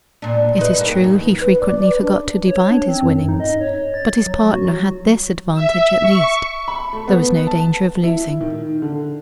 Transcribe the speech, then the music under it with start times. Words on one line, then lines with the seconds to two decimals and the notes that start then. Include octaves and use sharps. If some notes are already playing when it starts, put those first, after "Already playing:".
It is true he frequently forgot to divide his winnings, but his partner had this advantage, at least: there was no danger of losing.
0.22 A#2 D4
0.58 D#4 B4
0.78 G2 A#3
1.04 D#2
1.40 B4
1.61 D5
1.75 D5
1.89 B4
2.01 D4
2.46 C#5
2.71 D4
2.87 C4
3.03 F#2
3.14 G2
3.29 D#4
3.40 D#5
3.60 C#5
3.94 A6
4.26 F#3
4.51 F#4
4.65 F#3
5.55 E5
6.01 C#6
6.68 B5
6.93 A3
7.08 B3
7.47 A5
8.04 E4
8.41 D#3
8.82 D3